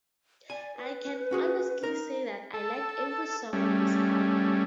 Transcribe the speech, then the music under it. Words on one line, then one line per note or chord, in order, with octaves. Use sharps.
I can honestly say that I like every song on this album.
D5 G#5
B4
C#4 F#4 G#4
D#4 A#4
A4
G3 A3 C#4